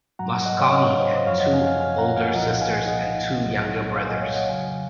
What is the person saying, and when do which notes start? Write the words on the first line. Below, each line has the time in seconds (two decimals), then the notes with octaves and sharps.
Mosconi had two older sisters and two younger brothers.
0.19 G#2 F#3 F#5 A#5
0.33 F#5 A#5
0.45 D#5 F#5
0.59 C#5 F5
0.73 D#5 F#5
0.86 C#5 F5
1.00 C5 D#5
1.13 C5 D#5
1.27 F#2 F3 C#5 F5
1.40 D#5 F#5
1.53 F5 G#5
1.67 F5 G#5
1.80 F5 G#5
1.98 F#5 A#5
2.17 F5 G#5
2.34 C2 A#2 F3 D#5 F#5
2.61 F5 G#5
2.88 D#5 F#5
3.42 C2 A#2 F#3
3.95 F5 G#5
4.09 D#5 F#5
4.22 C#5 F5
4.36 D#5 F#5
4.49 F2 C#3 F#3 F5 G#5